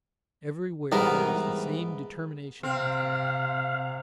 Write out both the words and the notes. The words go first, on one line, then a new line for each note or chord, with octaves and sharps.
Everywhere there is the same determination and courage.
G#2 E3 G3 B3 A#4
C3 C4 F5